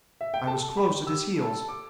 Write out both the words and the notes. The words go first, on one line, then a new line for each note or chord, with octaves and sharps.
I was close at his heels.
E5
G5
A4 A5
G4 B5
E6
A4
D6